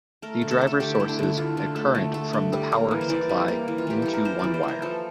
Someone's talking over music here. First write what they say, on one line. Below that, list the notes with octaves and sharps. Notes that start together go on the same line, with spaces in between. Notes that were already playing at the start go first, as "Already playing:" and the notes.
The driver sources a current from the power supply into one wire.
A3 A#4
D3
A4
A3 A#4
A4
D3 G4
A3 E4
D4
D3 E4
A3 E4 F4
D3
A3
D3
A3
D3
G3
A#3
E3
C5
E3 D5
G3
A#3
E3
F4
E3 G4
G3 A4
A#4
A#3 C5
E3 D5
C5
E3 A#4
F3 A4